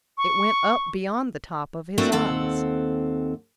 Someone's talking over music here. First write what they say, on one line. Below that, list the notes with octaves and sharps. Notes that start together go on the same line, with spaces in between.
It went up beyond the top of his eyes.
C#6
A3 A#3 C4 D4 E4 F#4
D#2 C4 A4 F#5